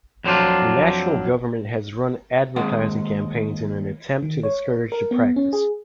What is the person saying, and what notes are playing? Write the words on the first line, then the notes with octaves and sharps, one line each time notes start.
The national government has run advertising campaigns in an attempt to discourage the practice.
F2 F#3 C4 D4 F4
D#2 G#3 C4 F#5
D#3
C#5
A#4
B3
C#4
G#4